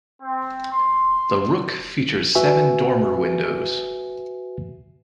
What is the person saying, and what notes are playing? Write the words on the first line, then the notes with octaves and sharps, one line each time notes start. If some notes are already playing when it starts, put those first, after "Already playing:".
The rook features seven dormer windows.
C4
C6
F#4 B4 E5 G#5